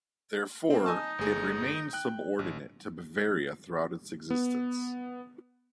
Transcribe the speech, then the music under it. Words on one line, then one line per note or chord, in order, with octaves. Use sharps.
Therefore, it remained subordinate to Bavaria throughout its existence.
A#3 C4
D#4 D#5 G#5 A5
G1 A3 G#4
G5 F#6
A1
B3